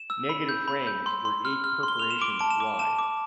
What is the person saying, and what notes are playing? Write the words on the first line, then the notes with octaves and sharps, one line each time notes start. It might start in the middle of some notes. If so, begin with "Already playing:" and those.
Negative frames were eight perforations wide.
Already playing: E7
E6
B5
G6
B5
G6
C6
C6
F6
F6
C6
G7
C6 F7
E7
D6 D7
A5 D7
E7
D6
A5 E7
D6